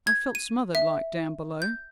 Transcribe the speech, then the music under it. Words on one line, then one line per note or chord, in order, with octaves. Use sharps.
I felt smothered like down below.
G#6
D#7
E5
G6